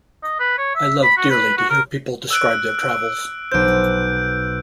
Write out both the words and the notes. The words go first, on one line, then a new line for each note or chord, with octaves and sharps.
I love dearly to hear people describe their travels.
D#5
B4
C#5
E5
B5
F#4
B4
F#4
A#4
E6 F#6 D7
B1 C5 G6 D7